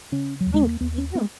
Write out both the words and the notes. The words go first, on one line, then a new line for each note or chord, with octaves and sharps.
Thanks, you too.
C#3 C#4
F#3
D#2
G#3
A#3
D#2 B3
C#4
B3